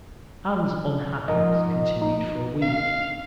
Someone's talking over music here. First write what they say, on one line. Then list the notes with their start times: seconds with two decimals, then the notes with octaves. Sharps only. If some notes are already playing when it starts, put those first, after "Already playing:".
Anne's unhappiness continued for a week.
1.28 G#2 F3 A#4 D#5
2.02 D#4
2.62 F5